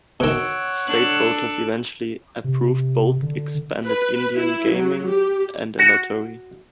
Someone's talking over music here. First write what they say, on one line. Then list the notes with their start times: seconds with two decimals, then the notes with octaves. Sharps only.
State voters eventually approved both expanded Indian gaming and a lottery.
0.20 B2 D#3 C#5 F#5 E6 D7 E7
0.87 D4 A4 F#6 F#7
2.44 C3
3.22 D3
3.83 B4
4.34 E4
4.69 F#3
5.06 G4
5.79 F#4